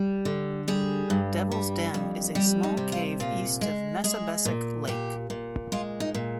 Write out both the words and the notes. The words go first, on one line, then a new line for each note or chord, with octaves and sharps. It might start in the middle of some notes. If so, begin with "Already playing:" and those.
Devil's Den is a small cave east of Massabesic Lake.
Already playing: G3
D3
G3 G#4
G2
G3
F2
G3 G4
D#4
C3
F4
A#2 F4
G#3
G#3 G#4
A#2
A#2 G4
A#2
G#3 F4
D#4
A#2